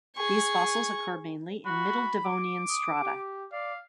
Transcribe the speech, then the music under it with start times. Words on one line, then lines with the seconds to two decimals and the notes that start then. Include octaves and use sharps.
These fossils occur mainly in Middle Devonian strata.
0.16 G#4 C#6
1.66 F#4 B5
2.25 D6
2.69 D#6
3.01 G4
3.52 D5 F5